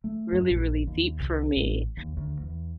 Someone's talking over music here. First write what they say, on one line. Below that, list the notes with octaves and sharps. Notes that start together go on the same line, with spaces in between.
really, really deep for me.
A3
F#2
A#1
D#2
C2
A1
D#2
D2
E2